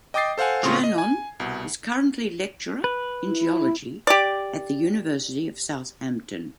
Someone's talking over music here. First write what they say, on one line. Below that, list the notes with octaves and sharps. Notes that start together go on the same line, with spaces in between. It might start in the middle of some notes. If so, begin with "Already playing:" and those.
Gernon is currently lecturer in geology at the University of Southampton.
D#5 G5 D6 D#6 A6 C7
A4 C5 F5 F#5 G#5
A2 C#3 C4 F4 C6 C#6
D#5
G#5 G#6
C2 B2
B4
E4
G4 D5